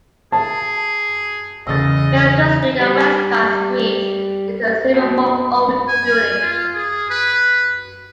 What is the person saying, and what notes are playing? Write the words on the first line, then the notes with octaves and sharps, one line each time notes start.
Milton Street and Westcott Street lead to several more old buildings.
G#4 A5
E2 C#3 D#5 E6 A6
G3
B2
G#5
F4
G#4
B4